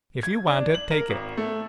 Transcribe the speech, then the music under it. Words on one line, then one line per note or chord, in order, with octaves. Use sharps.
If you want it, take it.
G#6
D4
F#7
A#4
G#1
A3